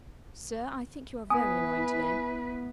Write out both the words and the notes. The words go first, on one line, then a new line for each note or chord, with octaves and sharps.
"Sir, I think you are very annoying to-day."
B3 E4 B4 G#5 D#6